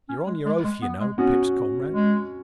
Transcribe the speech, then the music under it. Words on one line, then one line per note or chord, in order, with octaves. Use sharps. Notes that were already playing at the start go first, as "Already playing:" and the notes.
"You're on your oath, you know, Pip's comrade?"
C#4
G#3
G#3
G#3
B3
G#3
B3 C#4 F#4
G#3